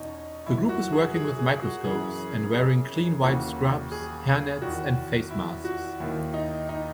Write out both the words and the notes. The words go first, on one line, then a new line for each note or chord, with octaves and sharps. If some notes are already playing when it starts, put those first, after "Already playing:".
The group is working with microscopes and wearing clean white scrubs, hairnets and face masks.
Already playing: E2 B2 C#4 D#4
F#2 E3 E4
F#4
G#4
G#4
G#4
F#4
F#2 C#3 E3 G#4
G#4
D#2 C#3 E3 F#4
G#4
E2 D#3 F#4
E4
F#4
D#2 D#3 E4
D#4
D#4